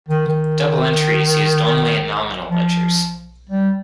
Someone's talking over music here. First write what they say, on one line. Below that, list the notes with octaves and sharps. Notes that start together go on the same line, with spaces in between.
Double entry is used only in nominal ledgers.
D#3
D#3
F3
G3